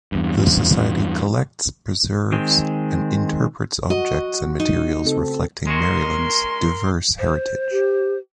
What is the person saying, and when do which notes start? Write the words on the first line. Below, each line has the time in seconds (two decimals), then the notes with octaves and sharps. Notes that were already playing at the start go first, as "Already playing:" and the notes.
The society collects, preserves, and interprets objects and materials reflecting Maryland's diverse heritage.
0.12 E2 G2
2.32 D#3 G#3 C4
3.90 F#4 D#5
4.60 D#4
5.04 C#3 C4 A4
5.67 G#3 C#4 F#4 A#4 C6
7.19 C5
7.72 G4